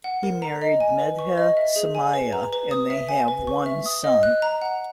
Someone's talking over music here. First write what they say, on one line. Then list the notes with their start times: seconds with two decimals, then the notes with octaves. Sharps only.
He married Medha Somaiya and they have one son.
0.04 F#5
0.23 A#4
0.42 A#5
0.62 D#5
0.80 G#5
1.00 B4
1.19 C#6
1.38 D#5
1.57 E5
1.76 G#4
1.95 G#5
2.14 B4
2.33 A#5
2.53 B4
2.71 D#6
2.90 E5
3.09 G#5
3.28 B4
3.47 C#6
3.66 E5
3.86 D#6
4.04 D#5
4.23 F#6
4.42 A#5
4.62 F#5